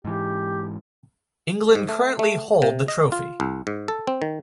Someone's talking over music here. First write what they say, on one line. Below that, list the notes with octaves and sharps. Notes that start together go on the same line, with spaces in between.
England currently hold the trophy.
G#2 E3 G4
G#2
A3
A3
C3
D#5
F4
C2
G#2
A4
C4
D#3